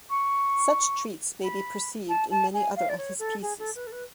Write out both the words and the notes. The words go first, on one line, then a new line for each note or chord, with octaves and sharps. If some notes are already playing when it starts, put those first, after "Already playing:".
Such treats may be perceived in many other of his pieces.
C#6
B5
A5
A5
G#5
F5
D5
C#5
A4
G#4
A4
B4
A4
B4